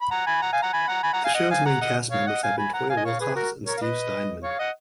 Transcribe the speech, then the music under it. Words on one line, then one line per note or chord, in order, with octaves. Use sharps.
The shows main cast members have been Toyah Willcox and Steve Steinman.
B5
F#5 A#5
G#5 B5
F#5 A#5
F5 G#5
F#5 A#5
G#5 B5
F#5 A#5
G#5 B5
F#5 A#5
F5 G#5
D#5 F#5
F5 G#5
F#5 A#5
D#5 F#5
C#5 F5
D#5 F#5
F5 G#5
G#5 B5
F#5 A#5
F5 G#5
D#5
C#5 F5
G#4 B4
F#4 A#4
A#4 C#5
F5
B4 D#5
C#5 F5
D#5 F#5